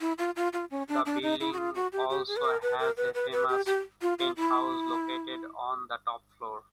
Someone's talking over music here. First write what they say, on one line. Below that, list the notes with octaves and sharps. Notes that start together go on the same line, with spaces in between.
The building also has a famous penthouse located on the top floor.
E4
F4
F4
F4
C#4
D4
D4
D#4
E4
F#4
F4
F#4
G4
G4
G#4
B4
A#4
B4
A#4
B4
B4
B4
G4
G4
F4
F4
E4